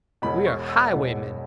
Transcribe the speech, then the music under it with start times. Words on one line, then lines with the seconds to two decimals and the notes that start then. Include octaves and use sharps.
We are highwaymen.
0.22 E1 E2 B2 B5
0.46 C#6
0.69 E6
0.92 E1 E2 B2